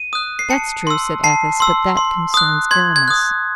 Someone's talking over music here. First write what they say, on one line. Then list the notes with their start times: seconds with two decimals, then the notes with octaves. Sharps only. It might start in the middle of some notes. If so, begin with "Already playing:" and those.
"That's true," said Athos; "but that concerns Aramis."
Already playing: D#7
0.13 D#6 F#6
0.39 C7
0.50 A5 C#7
0.87 C6 E6
1.24 A5 C7
1.60 C6 E6
1.97 C6
2.34 D#6 F#6
2.71 C6 G#6
2.96 G#6
3.08 D#6 F#6